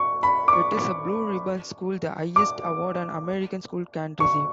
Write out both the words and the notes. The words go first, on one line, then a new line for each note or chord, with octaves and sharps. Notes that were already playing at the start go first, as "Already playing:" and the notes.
It is a Blue Ribbon School, the highest award an American school can receive.
Already playing: C#6
B5
D6
C#6
D6
C#6